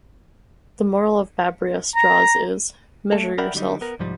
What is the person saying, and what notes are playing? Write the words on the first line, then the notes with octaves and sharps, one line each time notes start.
The moral Babrius draws is, Measure yourself!
A#5
A3 A4
A#4 D5 E5 F#5 G5 B5
D3 F#3 G3 A3 D#4
B3 A#4
C2 G#2 F3 G3